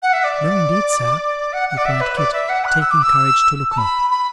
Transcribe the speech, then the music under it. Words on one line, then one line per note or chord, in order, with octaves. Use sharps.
'No indeed, sir,' replied Kit, taking courage to look up.
F#5
E5
D5
F#5
F#5
D5
E5
B4
D5
E5
F#5
F#6
E6
D6
E6
A5
B5
B5